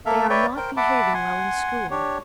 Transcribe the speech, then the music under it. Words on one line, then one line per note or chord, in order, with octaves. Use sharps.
"They are not behaving well in school."
A#3 A4 E5 F5
B4 C#5 D5 E5 G5
A#4 C5 G5
E5 F#5 A5 B5 D6
F#5 G#5 C6
D4 G4 C#5